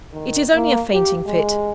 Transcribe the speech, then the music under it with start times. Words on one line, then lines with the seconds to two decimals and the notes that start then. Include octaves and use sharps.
'It is only a fainting-fit.
0.13 D#3
0.54 A#3
0.92 G4
1.26 G#3